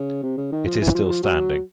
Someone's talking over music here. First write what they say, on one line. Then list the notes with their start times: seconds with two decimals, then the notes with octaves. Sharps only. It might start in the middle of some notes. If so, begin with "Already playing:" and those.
It is still standing.
Already playing: C#3
0.23 C3
0.37 C#3
0.52 D#3
0.66 F3
0.81 E3
0.95 F3
1.05 F#3
1.09 F3
1.23 F#3